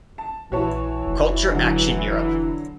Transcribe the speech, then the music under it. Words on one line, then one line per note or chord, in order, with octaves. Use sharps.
Culture Action Europe.
A5
A#1 E3 F#4 C#5 A5
F1
D3 F#3